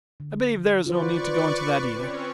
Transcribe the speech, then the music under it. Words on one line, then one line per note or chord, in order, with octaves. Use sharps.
I believe there is no need to go into that either.
D3
F4 F#4 B4 C5 D5 C#6
C4 C#4 C#5